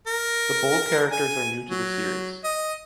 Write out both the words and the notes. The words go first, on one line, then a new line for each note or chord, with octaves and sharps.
The bold characters are new to the series.
A#4
G#5
F#3
D#5